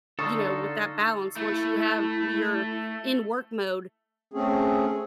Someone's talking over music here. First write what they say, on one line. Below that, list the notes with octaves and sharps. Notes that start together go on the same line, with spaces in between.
you know, with that balance, once you have w you're in work mode,
D3 D#4 F4 A4 C#6 D#6
A3 E4
A3 C4 C#4 G#4